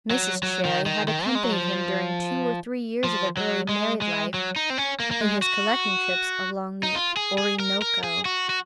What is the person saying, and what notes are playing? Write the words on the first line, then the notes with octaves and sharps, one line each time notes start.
Mrs. Cherrie had accompanied him during two or three years of their early married life in his collecting trips along the Orinoco.
F#3
F#3
D#3
D#3
D#3
A#3
G#3
F#3
F3
F3
F#3
G#3
G#3
F#3
D#4
C4
C#4
A#3
A#3
G#3
F#4
D#4
F4
G#4
G#4
A#4
A#4
G#4
F#4
F#4